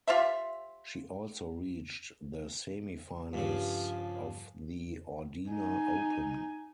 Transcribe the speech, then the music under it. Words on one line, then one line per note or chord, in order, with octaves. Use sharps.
She also reached the semifinals of the Ordina Open.
F4 G4 C5 E5
G2 C#3 F3
D#4 G#5